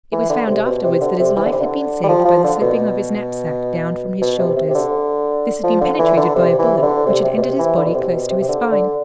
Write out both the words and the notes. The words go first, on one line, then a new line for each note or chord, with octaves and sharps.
It was found afterwards that his life had been saved by the slipping of his knapsack down from his shoulders. This had been penetrated by a bullet, which had entered his body close to his spine.
E3
D3
C3
B2
C3
D3
C3
E3
D3
C3
D3
G3
F3
F3
D3
B2
B2
C3
C3
C3
D3
F3
D3
E3
D3
C3
E3
C3
D3
C3
C3
B2
C3
E3
D3
B2
C3
B2
C3
C3
D3
D3